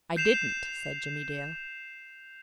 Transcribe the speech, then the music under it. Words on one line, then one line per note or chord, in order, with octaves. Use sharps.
"I didn't," said Jimmie Dale.
G6 C7 E7 F7